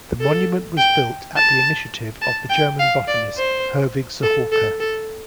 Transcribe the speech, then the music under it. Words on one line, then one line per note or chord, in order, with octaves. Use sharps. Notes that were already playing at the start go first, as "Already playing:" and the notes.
The monument was built at the initiative of the German Botanist, Herwig Zahorka.
A4
G5
A5
A5
G5
F5
D5
C5
A4
A4
A4